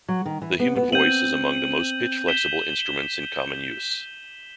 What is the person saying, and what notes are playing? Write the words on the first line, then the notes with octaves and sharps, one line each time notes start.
The human voice is among the most pitch-flexible instruments in common use.
F#3
D#3
E3
B3
B3
C4 G6 D#7 F#7
G6 B6 E7 G7